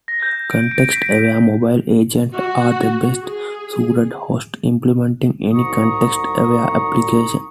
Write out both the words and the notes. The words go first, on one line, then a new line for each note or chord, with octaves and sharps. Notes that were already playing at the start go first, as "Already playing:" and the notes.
Context-aware mobile agents are a best suited host implementing any context-aware applications.
A#6
G6
D7
D7
B6
F#4
G#4
C2 G#2 F#4 A#5 C#6 D#6